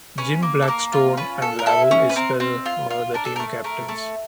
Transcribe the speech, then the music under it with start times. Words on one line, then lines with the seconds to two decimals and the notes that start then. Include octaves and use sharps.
Jim Blackstone and Lavell Isbell were the team captains.
0.18 C#4 B4
0.42 A#3
0.62 A4
0.68 A#3 A#4
0.93 F4
1.17 C#4 B4
1.42 A4
1.59 A#4
1.66 E4 A4
1.91 C#4
2.09 B4
2.16 C4 A#4
2.40 C4
2.66 F4
2.90 F4
3.14 D4 A#4
3.25 A4
3.36 A#4
3.40 A3
3.64 A3 A#4
3.88 A3